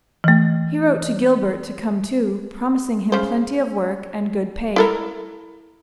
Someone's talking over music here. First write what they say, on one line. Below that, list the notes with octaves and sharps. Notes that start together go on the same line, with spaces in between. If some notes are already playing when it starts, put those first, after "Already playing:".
He wrote to Gilbert to come too, promising him plenty of work and good pay.
E3 A3
C#3 C5
E4 A4 A#4